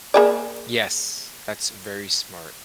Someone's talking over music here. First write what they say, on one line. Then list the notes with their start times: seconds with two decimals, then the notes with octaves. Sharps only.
Yes. That's very smart.
0.14 A#3 G#4 D5